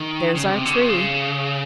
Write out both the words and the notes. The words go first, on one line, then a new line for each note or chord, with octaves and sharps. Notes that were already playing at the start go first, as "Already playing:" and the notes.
"There's our tree."
Already playing: D#3
C#3
C3
D3
C#3
C3
C#3